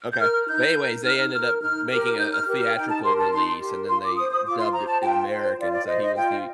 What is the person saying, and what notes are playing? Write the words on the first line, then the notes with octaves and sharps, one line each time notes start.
Okay. But, anyways, they ended up making a a theatrical release, and then they dubbed it in American, so, he was the
G6
A#4 F6
D#4 G6
A#4
D#4 F6
A#4 F6
D#4 F6
G4 A#4 F6
D#4 G6
F6
G4 A#4
F6
D#4 G5
A5
G4 A#4 C6
A5
D#4 C6
G4 A#4
F4 C6
D6
C5 D#6
D#6
F4 D6
C6
C5 A#5
A5
F4 G5
C5
F4 D5
D5
C5 D#5
D#5
F4 G5